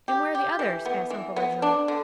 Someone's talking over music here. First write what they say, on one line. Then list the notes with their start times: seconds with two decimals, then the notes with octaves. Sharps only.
'And where are the others?' asked Uncle Reginald.
0.08 G4
0.35 G4
0.59 E3
0.85 B3
1.10 E3
1.36 B3
1.62 D4
1.88 D3